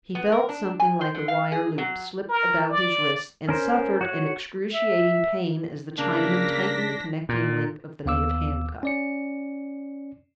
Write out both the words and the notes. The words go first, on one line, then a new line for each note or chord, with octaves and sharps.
He felt something like a wire loop slipped about his wrists, and suffered an excruciating pain as the Chinaman tightened the connecting link of the native handcuff.
B3
A#4
D4
G#5
C5
D3
F5
G#4
F#3
A#4
D5
C#4 A#4 C5
F#4 C#5 F#5
E5
C#3 A#3 D4 A#6 B6
A#2
D#2 B3 F5 D6 E6
C#4 D5 C#7